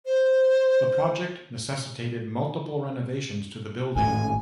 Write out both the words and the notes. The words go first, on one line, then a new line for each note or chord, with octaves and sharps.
The project necessitated multiple renovations to the building.
C5
G#1 A2 G#5